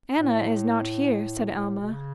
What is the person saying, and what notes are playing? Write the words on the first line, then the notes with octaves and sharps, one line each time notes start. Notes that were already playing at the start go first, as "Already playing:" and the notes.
"Anna is not here," said Alma.
A2
A2
B2
C#3